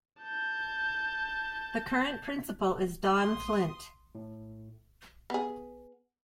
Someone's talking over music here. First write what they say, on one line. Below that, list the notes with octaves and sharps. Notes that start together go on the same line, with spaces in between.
The current principal is Don Flynt.
A5 G6
C6 D#6
A2
B3 G#4